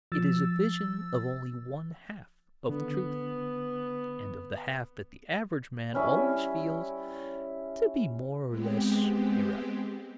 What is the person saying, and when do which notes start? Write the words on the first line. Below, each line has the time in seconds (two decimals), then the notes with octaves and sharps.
It is a vision of only one-half of the truth, and of the half that the average man always feels to be more or less irrelevant.
0.12 F3 E6 A6
2.69 D3 B3
5.94 G3 C#4 E4
8.47 G#3 B3 C4 G4